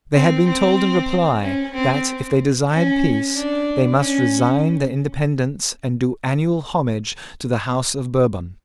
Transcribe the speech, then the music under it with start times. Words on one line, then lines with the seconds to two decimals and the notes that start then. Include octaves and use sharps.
They had been told in reply that, if they desired peace, they must resign their independence and do annual homage to the House of Bourbon.
0.14 C4
0.46 C4
1.42 C#4
1.74 C4
2.71 C#4
3.35 D4
3.99 C#4